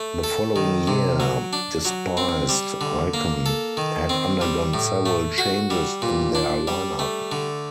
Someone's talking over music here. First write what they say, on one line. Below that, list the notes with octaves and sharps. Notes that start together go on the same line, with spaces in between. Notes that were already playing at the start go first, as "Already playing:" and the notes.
The following year, Despised Icon had undergone several changes in their lineup.
Already playing: A3
A4
D#3
C3
F#3
D4
F#3
C4
G3
D3
A#3
A4
D#3
C4
G3
A2
A3
F#4
G3
A#2
D4
G3
A3
D3